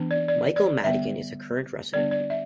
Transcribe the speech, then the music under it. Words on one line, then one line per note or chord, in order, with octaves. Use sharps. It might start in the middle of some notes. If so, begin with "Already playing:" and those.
Michael Madigan is a Current resident.
Already playing: E3 B3 D4
D5
D5
D5
D3 G3 B3 E5
D3 G3 B3 D4 D5
D5
E5